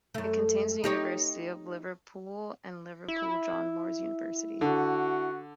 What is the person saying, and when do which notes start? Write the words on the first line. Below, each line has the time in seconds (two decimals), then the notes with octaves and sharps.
It contains the University of Liverpool and Liverpool John Moores University.
0.15 F#2 A3
0.84 D#4 G4 C#5
3.08 E4
4.61 D3 F#4